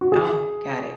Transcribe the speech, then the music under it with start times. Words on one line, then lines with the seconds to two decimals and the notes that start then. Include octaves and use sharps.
Oh, got it,
0.01 F#4
0.12 G#4